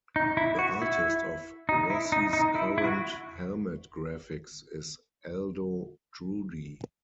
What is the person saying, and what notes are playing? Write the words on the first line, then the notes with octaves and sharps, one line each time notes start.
The artist of Rossi's current helmet graphics is Aldo Drudi.
D#4
E4
F#4
E4
D#4
E4
D#4
D#4
E4
E4
F#4